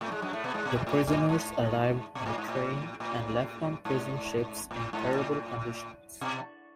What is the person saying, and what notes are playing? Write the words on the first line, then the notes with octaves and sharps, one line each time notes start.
The prisoners arrived by train and left on prison ships in terrible conditions.
A2 A3
G#2 G#3
F#2 F#3
A2 A3
B2 B3
G#2 G#3
B2
A2
A2
A2
G#2
B2
A2
G#2
A2
A2
G#2
A2
G#2
A2
B2